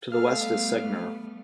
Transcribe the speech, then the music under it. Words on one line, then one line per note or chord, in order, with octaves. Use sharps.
To the west is Segner.
G3 A3 B3 A4 F5 F6